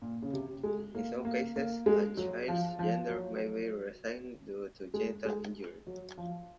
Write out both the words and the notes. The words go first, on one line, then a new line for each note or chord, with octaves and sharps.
In some cases, a child's gender may be reassigned due to genital injury.
A#2
C#3
C3
G#3
A#3
A#3
A#3
G#3
F#3
F3
F3
F#3
G#3
G#3
F#3
F3